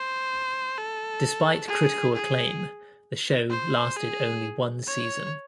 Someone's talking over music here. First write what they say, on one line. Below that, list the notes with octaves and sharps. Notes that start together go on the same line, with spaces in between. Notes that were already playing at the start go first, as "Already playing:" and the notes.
Despite critical acclaim, the show lasted only one season.
Already playing: C5
A4
G#4
G#4
C5
G#4
C#5